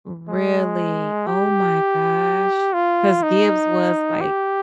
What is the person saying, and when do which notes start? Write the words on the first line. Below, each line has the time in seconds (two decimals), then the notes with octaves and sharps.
Really? Oh my gosh. 'Cause Gibbs was, like,
0.28 G#3
1.27 G4
2.74 F4
3.23 D#4
4.21 G4